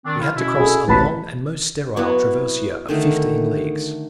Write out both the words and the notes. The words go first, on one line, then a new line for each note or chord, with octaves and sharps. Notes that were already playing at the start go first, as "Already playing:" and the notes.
We had to cross a long and most sterile traversia of fifteen leagues.
D#3 C4 D4
E4 F4
B2 C#4 E4
G#4 A4
A1 B4 C#5 A5 B5 B6
F#3 B3 E4 F#4
D3 D#3 A3